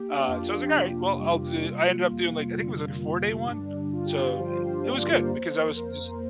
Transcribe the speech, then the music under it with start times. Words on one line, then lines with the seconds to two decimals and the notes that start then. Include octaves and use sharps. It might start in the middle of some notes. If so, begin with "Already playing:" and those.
Uh, so I was like, "Alright, well, I'll do" I ended up doing, like, think it was, like, a four-day one. So, eh, it was good because I was just
Already playing: A#3 G4
0.10 D4
0.18 F4
0.28 F2 G4
0.74 C3 F4
1.04 D4
1.19 G3
1.35 F4
1.64 A#3 F4
2.11 F2
2.57 D3
3.02 G3
3.47 G2 D4
3.93 G2 F4
4.06 G4
4.18 F4
4.39 F3 C5
4.84 A#3 D5
5.15 G4
5.22 A#4
5.30 F2 C5
5.76 F2 A#4